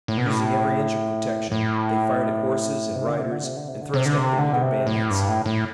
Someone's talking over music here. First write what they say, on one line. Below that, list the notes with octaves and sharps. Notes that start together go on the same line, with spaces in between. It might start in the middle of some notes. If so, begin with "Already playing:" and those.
Using every inch of protection, they fired at horses and riders and thrust at them with their bayonets.
A2
B2
A2
A2
C3
D3
C3
D3
C3
D3
C3
D3
C3
D3
C3
D3
B2
C3
A2
G2
A2
A2